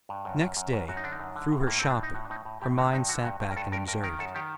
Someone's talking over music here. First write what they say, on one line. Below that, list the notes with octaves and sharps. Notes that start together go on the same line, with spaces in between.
Next day, through her shopping, her mind sat back and observed.
G2
F#2
F#2
F#2
F#2
F#2 F#4
D#4
D3 D4
D#4
F#2
D3
A2
A2 A#3
A2 C4
D4
A2 D#4
A2 F#4
D4
A2 D#4
A2
A2 G4
D3 F#4
G2 D#4
D3 F#4
G2 F#4
G2 G4
A#4
G2 A4
G2 A#4
G2 A#4
D#3 A#4
F#2 A4
D#3 G4